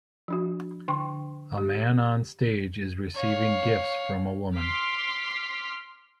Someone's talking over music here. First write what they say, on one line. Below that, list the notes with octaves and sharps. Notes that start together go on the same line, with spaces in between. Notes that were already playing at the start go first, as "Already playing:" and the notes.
A man on stage is receiving gifts from a woman.
F3 D4 F#4
D3 D4 G5 C6 C#6
G4
C#5 F5
C6 D6 F6 B6